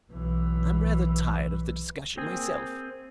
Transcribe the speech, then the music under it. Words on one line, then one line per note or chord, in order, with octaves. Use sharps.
"I'm rather tired of the discussion myself."
B1 E3
A#3 C4 G#4